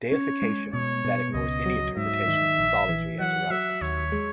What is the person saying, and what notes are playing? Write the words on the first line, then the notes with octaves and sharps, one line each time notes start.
"Deification", that ignores any interpretation of mythology as irrelevant.
C#4 C#5
G#3
B2 C#5
B2
C#2 D#5
F#3
G#2 E5
D#3
A#1
E3
F#3 F#5
F#3 E5
D#2 C#5
G#3